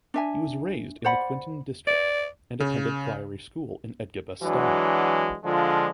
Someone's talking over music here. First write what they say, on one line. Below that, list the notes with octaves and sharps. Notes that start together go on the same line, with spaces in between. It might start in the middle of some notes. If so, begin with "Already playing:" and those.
He was raised in the Quinton district and attended Priory School in Edgbaston.
D4 E5 G#5
C5 D5 F#5 B5
D5
C#3
E3 F#3 G#3 D4 F#4
D3 F3 G#3 D4 F4